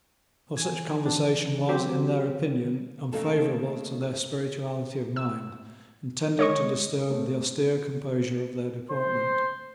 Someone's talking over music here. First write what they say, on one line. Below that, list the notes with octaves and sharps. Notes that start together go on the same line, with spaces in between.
For such conversation was, in their opinion, unfavourable to their spirituality of mind, and tended to disturb the austere composure of their deportment.
E3 G#5
D4
F#3 C4 G4
C#3 A3 A#3 D#4 A4
E6
G#3 C#5 D#5 C#6
A3 C4
C5 C6